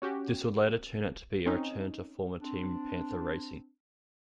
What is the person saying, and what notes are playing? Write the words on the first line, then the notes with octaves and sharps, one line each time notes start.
This would later turn out to be a return to former team Panther Racing.
C#4 F#4 G4
C4 C#4 D#4
C4 D4